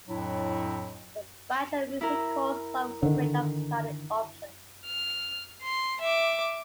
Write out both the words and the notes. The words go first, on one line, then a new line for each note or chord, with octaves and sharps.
The Bachelor Music course offers a range of study options.
F2 A2 F#3 D4 E4
E4 A#4
D3 D#3
F6
C6
E5 D6